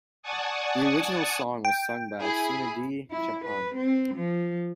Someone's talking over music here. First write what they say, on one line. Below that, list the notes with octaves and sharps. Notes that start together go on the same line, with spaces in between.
The original song was sung by Sunidhi Chauhan.
D5 F#5 G#5 A5 C#6 D#6
G5
E4 G#4 B5
E4
B4
C4
F3